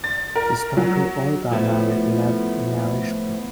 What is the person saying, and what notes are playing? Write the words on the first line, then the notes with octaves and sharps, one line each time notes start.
His daughter Olga married Lev Naryshkin.
A6
A#4
F#3
A2 F3 A3 B3